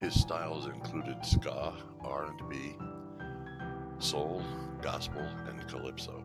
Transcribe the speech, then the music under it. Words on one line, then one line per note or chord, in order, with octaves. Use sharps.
His styles included ska, R and B, soul, gospel and calypso.
A#1 G#2 E3 G5
G#5
A#1 G#2 E3 G5
G#5
A#1 G#2 E3 G5
F5
A#1 G#2 E3 G5
G1 G2 E3
G1 G2 E3 G#5
A#5
G1 G2 E3 C#6
G1 G2 E3 E6
C#2 C3 E3 G6
G#6
C#2 C3 E3 G6
C#2 C3 E3
C#2 C3 E3
E1 E2 E3
F6
E1 E2 E3 G6
G6
E1 E2 E3 G6
F6
E1 E2 E3